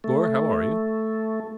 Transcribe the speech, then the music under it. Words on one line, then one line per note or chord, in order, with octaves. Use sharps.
Gore, how are you?
A3